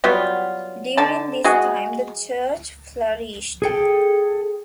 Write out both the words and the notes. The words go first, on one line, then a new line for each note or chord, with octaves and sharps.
During this time the church flourished.
F#3 G3 B3 F4
D3 A5
G#3 F#4 G#4
G#4 A4 G5